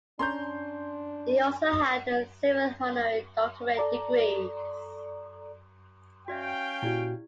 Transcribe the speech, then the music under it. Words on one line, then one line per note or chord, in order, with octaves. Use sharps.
He also had several honorary doctorate degrees.
C#4 D4 C#5 A#5 C6 G6
A4 D5 A#5
C#4 F#4 D5 E5 F5 G5
A#2 E4 F#4 G4 D5